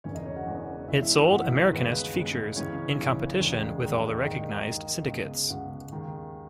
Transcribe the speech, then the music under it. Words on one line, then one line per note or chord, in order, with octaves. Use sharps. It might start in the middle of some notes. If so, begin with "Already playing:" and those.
It sold "Americanist" features, in competition with all the recognized syndicates.
E1 E2 C#3 C#4 C#5
D#4 D#5
C#4 C#5
F#4 F#5
E1 E2 C#3
E2 B2 G#3 E4 E5
E4 E5
F#4 F#5
E2 B2 G#3 F#4 F#5
E4 E5
D#4 D#5
D#2 C#3 G#3 B3 B4
D#2 C#3 G#3
C#2 C#3 E3 G#3 C#4 C#5
C#2 C#3 E3 G#3
E1 D#2 D#3 G#3
E1 D#2 D#3 G#3
D#2 D#3 G#3 D#4 D#5
D#2 D#3 G#3
C#2 B2 G#3
C#2 B2 G#3 F#4 F#5
D#2 D#3 G#3